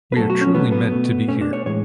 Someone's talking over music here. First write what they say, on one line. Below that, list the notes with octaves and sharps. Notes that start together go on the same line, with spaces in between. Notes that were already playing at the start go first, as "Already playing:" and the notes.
We are truly meant to be here.
B4
B2 F#3 A3 A4
F#4
C#4
B2 F#3 A3 B3
B3
B2 A3
B2 A3 C#4
D4
C#5
A2 E3 G#3 C#5